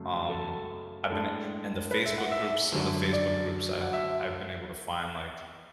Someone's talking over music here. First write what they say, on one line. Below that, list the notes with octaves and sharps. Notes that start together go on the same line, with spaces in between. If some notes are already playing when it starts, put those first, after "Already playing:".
Um, I've been i in the Facebook groups, some of the Facebook groups, I, uh, I've been able to find, like,
Already playing: F#2 C#3 F#3 A3
A4
A2 G#3 D4 A4
B4
E5
F#5
E5
F#2 D3 F#3
D5
F#5
E5